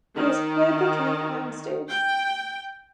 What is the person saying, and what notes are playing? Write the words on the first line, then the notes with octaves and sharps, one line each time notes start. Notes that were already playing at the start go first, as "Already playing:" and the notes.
He has played the king on stage.
D#3
G5